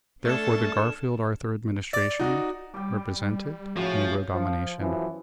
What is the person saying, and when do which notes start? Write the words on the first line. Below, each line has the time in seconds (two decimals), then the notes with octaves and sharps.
Therefore, the Garfield-Arthur administration represented "Negro Domination."
0.25 A3 D4 A4 F6 G#6 A6 E7
1.93 D5
2.19 D#4 F#4
2.74 G3 G5 D6
3.77 A2 C#3 F3 F4 F#4
4.34 F3
4.79 F#2 B2 E3 F3